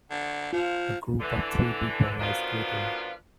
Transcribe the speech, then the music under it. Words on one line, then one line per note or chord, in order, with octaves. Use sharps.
A group of three people ice skating.
D3
F3 F4
D3 E3
B2 D#3 F3 D4 F4 B4